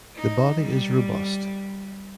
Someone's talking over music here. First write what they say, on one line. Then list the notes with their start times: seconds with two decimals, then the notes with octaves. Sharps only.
The body is robust.
0.16 D#4
0.62 G3